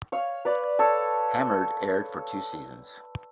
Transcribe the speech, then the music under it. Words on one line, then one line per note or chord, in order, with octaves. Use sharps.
"Hammered" aired for two seasons.
C#5 F5
B4 D5
A4 C#5